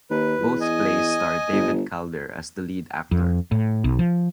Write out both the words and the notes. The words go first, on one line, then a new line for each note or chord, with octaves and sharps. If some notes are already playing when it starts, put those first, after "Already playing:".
Both plays star David Calder as the lead actor.
D#2 B4
E2
D#5 G#5
G1
F2
A2
B1
F3